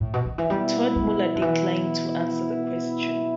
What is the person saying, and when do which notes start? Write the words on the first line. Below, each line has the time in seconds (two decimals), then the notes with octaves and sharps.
Todd Muller declined to answer the question.
0.00 A2
0.14 B2
0.25 D3
0.38 E3
0.50 B2 G3 B3 E4
0.96 G3
1.36 D3
1.42 E3